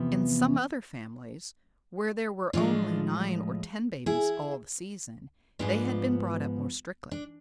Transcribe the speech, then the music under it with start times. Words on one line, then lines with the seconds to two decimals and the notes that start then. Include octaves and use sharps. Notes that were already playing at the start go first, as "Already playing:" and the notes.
In some other families, where there were only nine or ten babies all the season, they had been brought up more strictly.
Already playing: E2 C3 F3 B3
2.53 A2 F3 G#3 D4 F4
4.06 E4 G#4
5.59 G#2 F3 B3 D4 F4
7.11 D4